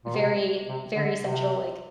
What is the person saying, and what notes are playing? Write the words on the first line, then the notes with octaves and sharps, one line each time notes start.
very, very central, like,
A#2
C3
C3
D3
C3